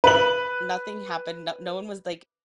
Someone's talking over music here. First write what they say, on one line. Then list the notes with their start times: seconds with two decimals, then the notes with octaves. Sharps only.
nothing happened, no no one was like,
0.04 B4 F#7